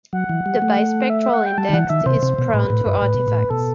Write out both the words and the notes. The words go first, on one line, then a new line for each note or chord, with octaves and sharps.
The bispectral index is prone to artifacts.
F#3 F#5
E3
G3
A3
E5
E5
F#5
G5
G3 A5
D#3
E3 F#5
D#3 E5
C3 C5
C3
B2
A2 B4
A2
G2
A2
B2
A2
B2 A4